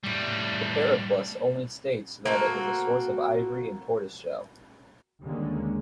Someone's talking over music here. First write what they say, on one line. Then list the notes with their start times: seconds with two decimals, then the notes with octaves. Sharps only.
The "Periplus" only states that it was a source of ivory and tortoise shell.
0.04 A2 G3
2.26 A#3 C4 F#4 A4
5.23 D#2 D3 G3 G#3 A#3 C#4